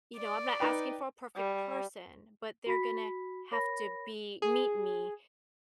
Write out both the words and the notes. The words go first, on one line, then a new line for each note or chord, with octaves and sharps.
you know, I'm not asking for a perfect person, but they're gonna have to be meet me
D5
D#4 B4 G5
G3
F#4 B5 B6
A#4 C#5 B5 A#6
G#4